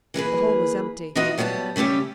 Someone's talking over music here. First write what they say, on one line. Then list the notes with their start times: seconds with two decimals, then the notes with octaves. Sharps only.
The hole was empty.
0.14 E3 A#3 G#4 B4
1.15 E3 D#4 F4 F#4 D#5
1.38 F#3 G3 B3 G#5 A5
1.76 C#3 G3 A3 C#4 G4